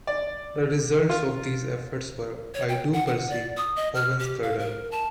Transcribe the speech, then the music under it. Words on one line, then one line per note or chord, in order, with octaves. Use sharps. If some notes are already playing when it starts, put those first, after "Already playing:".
The results of these efforts were "I Do Perceive", Owen's third album.
D5
F4
C#5
G5
F#5
F#5
D5
D#6
D#5
F6
G4
F5
A#4
A5